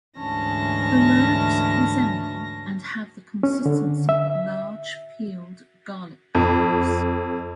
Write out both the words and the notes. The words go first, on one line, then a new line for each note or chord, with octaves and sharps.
The lobes resemble, and have the consistency of, large peeled garlic cloves.
D2 G#2 E3 C#4 A5 A#6
C#4
D3
E5
F2